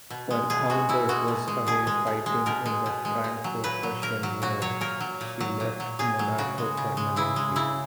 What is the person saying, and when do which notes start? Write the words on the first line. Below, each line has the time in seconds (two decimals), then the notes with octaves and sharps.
While Albert was away fighting in the Franco-Prussian war, she left Monaco permanently.
0.10 B2
0.31 G#3
0.50 B2 G#4
0.70 G#3 F#4
0.89 B2 E4
1.09 G#3 F#4
1.28 B2
1.48 G#3
1.67 B2 G#4
1.87 G#3
2.07 B2
2.26 G#3
2.46 B2 A#4
2.66 G#3
2.86 B2
3.05 G#3
3.24 A#2
3.44 F#3
3.64 A#2 B4
3.83 F#3
4.02 A#2 A#4
4.23 F#3
4.42 A#2 F#4
4.62 F#3 C#5
4.81 A#2 A#4
5.00 F#3
5.21 A#2
5.41 F#3
5.60 A#2
5.80 F#3
5.99 A#2 G#4
6.19 F#3
6.38 C#3 F#4
6.58 G#3
6.77 C#3
6.97 G#3
7.16 C#3 E4
7.36 G#3
7.56 C#3 E4